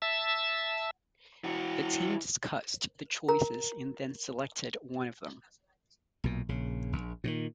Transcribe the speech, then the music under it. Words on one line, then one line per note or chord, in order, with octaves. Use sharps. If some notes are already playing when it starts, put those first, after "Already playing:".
The team discussed the choices and then selected one of them.
E5 A5 E6
E3 F#4
A#4 A#5
B1 A#2
A#1 C#3
A#1
A#2 D3 D#3